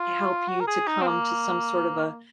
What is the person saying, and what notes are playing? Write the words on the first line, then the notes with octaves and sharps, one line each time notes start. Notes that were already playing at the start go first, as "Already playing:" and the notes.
help you to come to some sort of a
Already playing: F4
F#4
A#4
G#4
D#4
C4
A#3